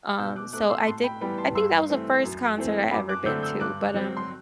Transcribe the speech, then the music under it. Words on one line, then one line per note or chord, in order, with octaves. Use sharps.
Um, so I did I think that was the first concert I ever been to, but, um
B2 E6 G6
D6 F#6
A3 C4 D6 F#6
C6 E6
A2 A5 C6
G5 B5
E3 G3 B3 G5 B5
A5 C6
G2 C6 E6
E3 A3 C4
F#2
E3 A3 C4
F#2 B5 D6
D6 F#6
D3 A3 C4 E6 G6
E6 G6
G2 D6 F#6
F#3 C4
C6